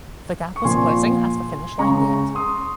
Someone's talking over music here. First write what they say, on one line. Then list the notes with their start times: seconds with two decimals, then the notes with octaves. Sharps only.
The gap was closing as the finish line neared.
0.56 C#6
0.65 A#2 F3 A#3 G#5 C6
1.78 C#3 G#3 A#5 C#6
2.35 C6 D#6